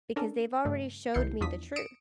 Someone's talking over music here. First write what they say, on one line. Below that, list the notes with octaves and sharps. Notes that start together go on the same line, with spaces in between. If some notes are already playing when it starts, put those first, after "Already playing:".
because they've already showed me the truth.
C#4 D4 A4 A#4
G2 C#3 A3
C2 D#3 E4 G6 C7 C#7
E2 F3 D4 D#6 B6
D#6 C#7 D7 E7